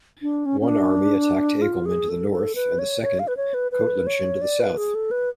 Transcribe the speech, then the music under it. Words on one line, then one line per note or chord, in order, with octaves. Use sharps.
One army attacked Acolman to the north and the second Coatlinchan to the south.
D4
C#4
C#4
D4
F4
G#4
A4
A4
B4
C#5
C#5
F5
B4
C#5
B4
B4
C#5
D5
B4
G#4
A4
B4